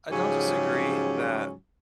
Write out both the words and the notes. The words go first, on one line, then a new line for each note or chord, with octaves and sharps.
I don't disagree that
G#2 C#3 F3 F#3 C#4 G4